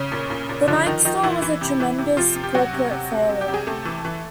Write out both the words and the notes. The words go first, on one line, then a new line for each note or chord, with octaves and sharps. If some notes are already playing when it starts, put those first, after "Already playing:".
The Nike store was a tremendous corporate failure.
Already playing: C#3 C#4
A#2
A#2
A#2
D3 F3 D4
D#3 F3 D#4
D#3 F3 D#4
A#2 E3 E4
E3
C3
E3
C3
C3 F3 F4
C3
G4
C3 F#3 F#4
C3
C3
C3
C3
G4
C3
G#4
C3 A3 A4
E3
E3